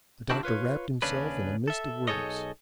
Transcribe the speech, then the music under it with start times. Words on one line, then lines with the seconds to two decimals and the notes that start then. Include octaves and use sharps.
The doctor wrapped himself in a mist of words.
0.30 D#3 D4 E4 F#4 G4
0.43 F4 B4 C#5
1.02 D#2 C#3 C#4 D4 B4
1.68 A4 E5
2.08 B1 D#4 G#4 A4 C#5 D#5